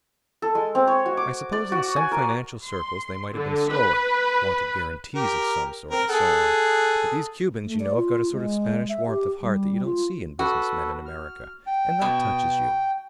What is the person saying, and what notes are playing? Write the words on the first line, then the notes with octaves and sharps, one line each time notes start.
I suppose in some financial circles they might have been slower, wanted guarantees of some sort, and so on, but these Cubans, you know, have got a sort of Spanish warmth of heart that you don't see in business men in America, and that touches you.
A4
G#3
C4
C#5
F#4
D6
D5
F#4
G#5
A#4
C6
D3
B4
G4 A#4
C4 A#4
G#4 A4 F#5
A3
D5
F4
G#3
E5
G4
G3
F4
F#4 A4 B4
F6
G5
B2